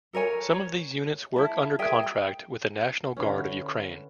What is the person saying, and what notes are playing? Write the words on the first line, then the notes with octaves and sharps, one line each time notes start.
Some of these units work under contract with the National Guard of Ukraine.
A4 A#4 C#5 G#5
C#5
E4 A5
G#4 A#4 E5 G5
G5
D3 E3 C#4